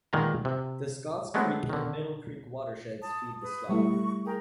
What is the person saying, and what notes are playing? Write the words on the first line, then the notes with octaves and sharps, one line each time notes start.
The Scotts Creek and Middle Creek watersheds feed the slough.
A#2 D#3 G#3 B3 A#5
C3
F#3 G#3 A3 B3 C4 D4
D3 D#3
A5 D#6
B4 D#6
G3 A3 E4 C#6
G#4 A#4 G5